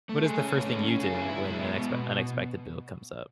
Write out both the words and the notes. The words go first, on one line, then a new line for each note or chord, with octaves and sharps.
What is the first thing you do when an expe unexpected bill comes up?
A3
G#4
C#4
A3
C#4
C#4
G#4
E4
E4
G#3
B3
B2
B2